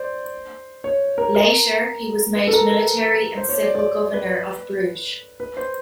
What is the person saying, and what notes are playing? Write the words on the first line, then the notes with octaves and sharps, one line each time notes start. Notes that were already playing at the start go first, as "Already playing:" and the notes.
Later, he was made military and civil governor of Bruges.
Already playing: C5 D5
C#5
A#4
A#4
B4
A4
A#4
B4
C5
C#5
D5
D5
B4
B4
C5